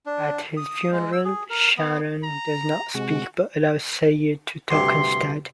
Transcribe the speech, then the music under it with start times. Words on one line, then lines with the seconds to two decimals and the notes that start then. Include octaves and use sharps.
At his funeral, Shannon does not speak, but allows Sayid to talk instead.
0.06 D4
0.57 D#6
0.92 G#3
1.12 E6
1.25 G#4
1.50 A#4
1.77 B3
2.24 A#5
2.95 C3 G#3 F#4
4.71 D2 G2 C3 C6